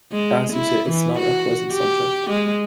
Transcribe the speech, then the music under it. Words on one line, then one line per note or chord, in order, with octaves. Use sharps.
As you say, it's not a pleasant subject.
G#3
E4
E3
F#4
G4
G#3